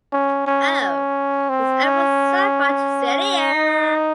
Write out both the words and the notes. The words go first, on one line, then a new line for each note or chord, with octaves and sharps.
Oh, it's ever so much sillier.
C#4
C#4
C#4
C4
C#4
D#4